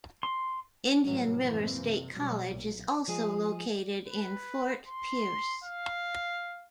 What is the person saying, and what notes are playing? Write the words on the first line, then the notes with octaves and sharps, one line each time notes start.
Indian River State College is also located in Fort Pierce.
C6
A2 C3 E3 F#3 G3 C#4
F#2 A2 E3 A#3 C4
C3
B2 F#3 G3
B1 A#2
F3 G#3 G#4
B4
C6
F5